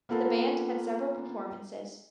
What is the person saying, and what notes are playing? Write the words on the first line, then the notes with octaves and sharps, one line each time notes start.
The band had several performances.
A#3 B3 F4 A4 A#5